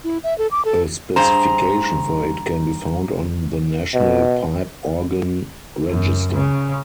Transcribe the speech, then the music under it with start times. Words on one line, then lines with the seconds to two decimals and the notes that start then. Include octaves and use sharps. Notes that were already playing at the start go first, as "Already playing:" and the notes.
A specification for it can be found on the National Pipe Organ Register.
0.04 E4
0.24 E5
0.38 A4
0.51 D6
0.65 A4
1.16 G2 G#4 C5 A#5
3.94 B2
5.89 F#2
6.33 C#3